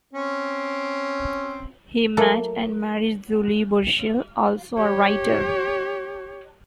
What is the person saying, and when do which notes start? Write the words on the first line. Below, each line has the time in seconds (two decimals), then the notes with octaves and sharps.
He met and married Julie Burchill, also a writer.
0.13 C4 C#4
2.17 F#3 A3 A#3 A4
4.78 G4 C#5